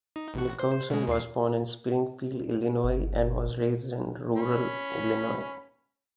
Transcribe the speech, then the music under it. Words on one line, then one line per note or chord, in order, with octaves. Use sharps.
Nicholson was born in Springfield, Illinois, and was raised in rural Illinois.
D#4
A1 F#4
C5
B2 G#3
D#2 C7
G1
C#4 B5